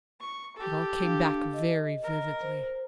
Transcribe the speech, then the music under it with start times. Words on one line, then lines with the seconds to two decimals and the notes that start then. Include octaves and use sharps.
It all came back very vividly.
0.20 C#6
0.57 G4 A4
1.01 D4 F5
1.53 D#5
2.03 A#4
2.41 C5